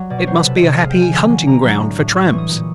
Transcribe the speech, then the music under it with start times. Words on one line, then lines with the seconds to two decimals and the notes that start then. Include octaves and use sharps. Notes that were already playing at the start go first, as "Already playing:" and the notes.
"It must be a happy hunting ground for tramps?"
Already playing: F#3 G3
0.10 B2 D5
0.19 C#5
0.27 F#3 C5
0.37 B4
0.44 C3 A4
0.56 D#5
0.62 C3
0.78 G#3 F5
0.90 G5
0.96 F3
1.02 G#5
1.13 D3
1.30 F#3
1.47 D3 A#5
1.64 F#3
1.81 A2
1.98 A2
2.15 G3 C6
2.27 C#6
2.33 E3
2.38 D#6
2.49 A#2